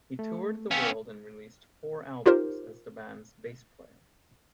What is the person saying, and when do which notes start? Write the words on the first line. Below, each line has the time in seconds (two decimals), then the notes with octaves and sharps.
He toured the world and released four albums as the band's bass player.
0.19 A3
0.71 B3 C#4 F5 G5 E6
2.26 D#4 F4 G4 A#4 C5